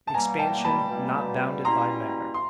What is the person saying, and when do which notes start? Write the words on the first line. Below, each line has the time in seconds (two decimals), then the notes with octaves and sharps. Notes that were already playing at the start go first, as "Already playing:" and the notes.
Expansion not bounded by Matter.
0.07 A5
0.14 B2 G3 A#3 G#5 A#5
0.39 G5 A5
0.64 A5 B5
0.89 B2 G3 A#3
1.65 B2 G3 A#3 C#4 E4 A#5 C6
2.34 C6